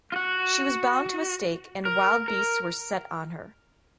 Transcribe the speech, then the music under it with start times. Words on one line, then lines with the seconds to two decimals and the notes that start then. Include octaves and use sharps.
She was bound to a stake and wild beasts were set on her.
0.12 F4
0.16 F#4
1.85 A#4
2.28 A#4